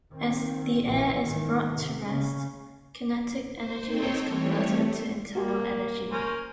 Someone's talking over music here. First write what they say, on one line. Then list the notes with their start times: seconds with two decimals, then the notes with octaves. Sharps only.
As the air is brought to rest, kinetic energy is converted to internal energy.
0.13 D#3 C4
0.86 A#1 E3
1.23 G#2 D#3
1.74 C3 D#3
2.07 C#3 C#4
3.55 C5
3.85 C4 D#4 A4 C5 C#5 G5
4.26 E3 G3 A3 C4 C#5
4.71 A3
5.35 A#3 F#4 G4
6.10 C#4 A#4 C5